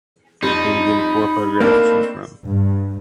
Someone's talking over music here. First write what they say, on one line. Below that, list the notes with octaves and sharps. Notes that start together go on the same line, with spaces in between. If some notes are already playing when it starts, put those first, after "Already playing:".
He was given four photographs to choose from.
F2 G3 D#4 B5
A3 A#3 C4 D4
G2